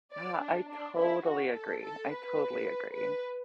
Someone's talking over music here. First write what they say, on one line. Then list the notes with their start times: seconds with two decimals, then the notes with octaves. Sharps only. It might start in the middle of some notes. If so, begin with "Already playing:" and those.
Yeah, I totally agree, I totally agree.
0.14 D5
0.42 D4
0.70 D4
0.98 E4
1.26 F#4
1.54 A4
1.82 A4
2.10 B4
2.94 B4